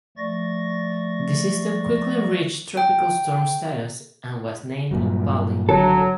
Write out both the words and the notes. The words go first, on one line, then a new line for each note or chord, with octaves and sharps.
The system quickly reached tropical storm status and was named "Pali".
F3 A3 D5 C#6 A6 A#6
G5
G2 A#2 F#3
G#1 D3 F#3 A4